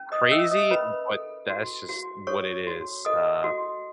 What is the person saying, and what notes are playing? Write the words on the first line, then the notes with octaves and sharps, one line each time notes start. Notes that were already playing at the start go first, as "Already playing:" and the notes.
Crazy, but that's just what it is. Uh,
Already playing: C#4
D#5 D#6
C#4 E5 E6
D#5 D#6
C#4 B4 B5
A4
F#4
F#4
A4 C#5 C#6
F#4
A4 D#5 D#6
F#4